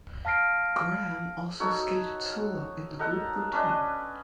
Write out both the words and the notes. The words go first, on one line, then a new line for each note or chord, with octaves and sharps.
Graham also skated solo in the group routine.
F5 A5 F6 A#6 C7 D7
D#4 F#4 A4 C#5
D#4 A4 A#4 F#5
C#4 D4 B4 D#5